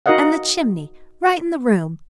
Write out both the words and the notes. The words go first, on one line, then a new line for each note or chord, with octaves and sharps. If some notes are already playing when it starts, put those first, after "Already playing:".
And the chimney right in the room!
D#4 F#4 A#4 D#5 F5 F#5